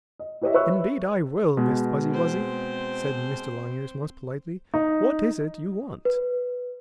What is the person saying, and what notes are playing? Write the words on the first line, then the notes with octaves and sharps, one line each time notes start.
"Indeed I will, Miss Fuzzy Wuzzy," said Mr. Longears, most politely. "What is it you want?"
D#5
E4 G4 B4 C#5 D#5 E5
B4 C#5 E5 C#6 E6 F#6
B2 G#3
C4 C5
D#4
B4